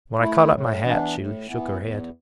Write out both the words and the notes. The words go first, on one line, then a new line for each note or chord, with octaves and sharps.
When I caught up my hat she shook her head.
A3 E4
A2
E3 B3 D4
A2
E3 B3
E2